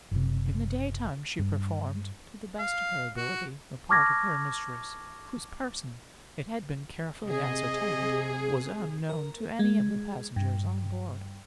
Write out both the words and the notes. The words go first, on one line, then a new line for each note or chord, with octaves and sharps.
In the daytime she performed, to the best of her ability, the part of her mistress--whose person, it had been carefully ascertained, was unknown to any of the passengers on board.
F#1 C3
G2
F5
F#4
A5 C#6 D6 F6 G#6 A#6
C3 G#4 D#5
A#4
G#3
G2